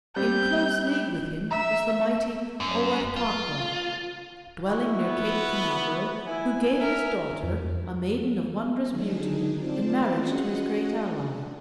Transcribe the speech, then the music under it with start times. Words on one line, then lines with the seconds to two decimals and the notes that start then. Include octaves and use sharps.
In close league with him was the mighty Oathcaqua, dwelling near Cape Canaveral, who gave his daughter, a maiden of wondrous beauty, in marriage to his great ally.
0.16 G3 C4 G4 G6
1.51 E5 A#5
2.60 F#2
3.16 F4
4.66 E4 F#4
5.00 B3
6.27 E4 G#5
6.80 A#4 E5
7.43 F2
8.88 D3 D#3 F#3 D4 D#4 G#4
9.55 C4 F4 C5 D5 A5
10.18 C#4 F#4 G#4 D#5 F#5
10.94 D4